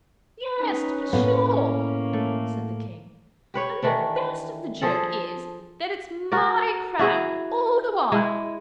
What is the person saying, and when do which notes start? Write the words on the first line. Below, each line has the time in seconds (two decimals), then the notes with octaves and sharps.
'Yes, to be sure,' said the King: 'and the best of the joke is, that it's MY crown all the while!
0.60 C#4 D#4 B4
1.13 A2 A#3 B3
2.13 A3
3.54 G4 B4 C#5
3.82 D#3 E3 A3 D4
4.82 F3 G#4 A4
6.32 F#4 A#4 D5
6.99 E4 F#4 G#4
8.12 G#3 E4